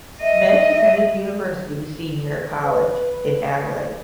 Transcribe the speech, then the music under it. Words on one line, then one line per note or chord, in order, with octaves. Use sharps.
Smith attended University Senior College in Adelaide.
D#5 E5
B4